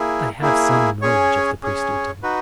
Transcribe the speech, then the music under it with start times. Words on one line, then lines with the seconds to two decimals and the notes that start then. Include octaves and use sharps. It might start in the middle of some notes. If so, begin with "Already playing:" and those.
"I have some knowledge of the priestly tongue."
Already playing: A#3 E4 G#4
0.41 A#3 E4 G#4
1.02 C#4 G#4 C#5
1.63 C#4 G#4 C#5
2.23 D#4 F#4 B4